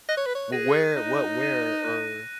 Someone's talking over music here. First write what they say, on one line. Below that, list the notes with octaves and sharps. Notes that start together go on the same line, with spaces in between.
Well, where what where or
D#5 F#6
C#5
B4
C#5
G#4 A#6 D#7
D#4 F#6
A#6 D#7
F#6